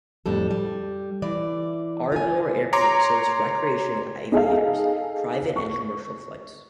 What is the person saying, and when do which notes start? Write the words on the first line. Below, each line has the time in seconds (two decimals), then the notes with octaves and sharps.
Ardmore Airport serves recreational aviators, private and commercial flights.
0.26 F2 A2 G3 D4 A4
0.51 G3
1.22 E3 D5
2.12 F4 G#5
2.73 C#5 A#5 C6 D6
4.32 D#4 G#4 A4 F5
5.56 C#6